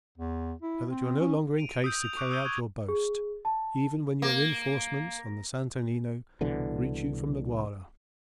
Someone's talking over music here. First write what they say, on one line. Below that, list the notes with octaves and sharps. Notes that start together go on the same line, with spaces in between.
So that you are no longer in case to carry out your boast, even when your reenforcements on the Santo Nino, reach you from La Guayra.
E2
E4
C4
C#4
D7 D#7 F7
D#6 E6 G6
F7
C#6 D6 F#6 D7
D#6 E6 G6 D#7 G7
C#6 D#6 F#6 G#6
G#4
A5
A#3
C2 B2 D3 E3